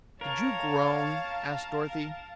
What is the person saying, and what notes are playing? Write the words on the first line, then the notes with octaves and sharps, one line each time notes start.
"Did you groan?" asked Dorothy.
A#4 C#5 F5 A5